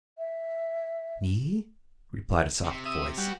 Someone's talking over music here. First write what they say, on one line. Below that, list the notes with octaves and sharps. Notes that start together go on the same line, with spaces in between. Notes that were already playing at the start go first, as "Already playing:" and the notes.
'Me?' replied a soft voice.
E5
C3
E5 D#6
G3 F#4 B4